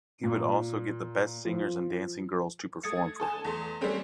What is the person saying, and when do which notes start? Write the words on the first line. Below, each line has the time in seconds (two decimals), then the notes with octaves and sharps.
He would also get the best singers and dancing girls to perform for him.
0.24 A#2
1.45 F3
2.83 A3 D#6 G#6 A6 C#7
3.20 A4 G#5 A5
3.45 E2 A3 C6
3.81 G3 A3 A#3 C4 C#4